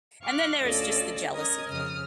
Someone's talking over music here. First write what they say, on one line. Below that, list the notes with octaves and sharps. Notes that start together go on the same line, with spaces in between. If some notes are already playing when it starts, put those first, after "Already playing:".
and then there is just the jealousy thing.
F5 C#6 D6 F6 F#6
D2 C#4 F4 A4 D5 D#5
C#4 A#4 D#5 D#6 G#6
F2 C#3 D#6 F6